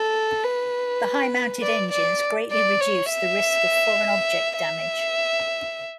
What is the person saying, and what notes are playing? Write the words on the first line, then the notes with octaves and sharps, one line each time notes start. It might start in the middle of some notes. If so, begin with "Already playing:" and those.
The high-mounted engines greatly reduce the risk of foreign object damage.
Already playing: A4
B4
D5
D5
D5
C#5
E5
E5